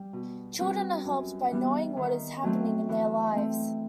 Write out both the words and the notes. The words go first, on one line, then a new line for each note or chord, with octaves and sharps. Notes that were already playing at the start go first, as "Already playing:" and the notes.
Children are helped by knowing what is happening in their lives.
Already playing: G3
B2
G3 C4 F#4 B4
F#2
E3 G3 B3
D#3
F#3 A3 C4
E3
A3 C4